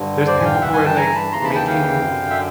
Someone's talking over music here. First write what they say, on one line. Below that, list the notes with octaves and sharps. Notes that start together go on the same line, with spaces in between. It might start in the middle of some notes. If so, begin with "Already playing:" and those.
there's people who are, like, making,
Already playing: G2 D3
C5 D5
G#5
F5 G5
G2 E3 E5 F#5
F#5 G#5
G5 A5
G#5 A#5
A5 B5
D#2 C#3 E3 A#5 C6
A5 B5
G5 A5
F5 G5
F#2 D3
E5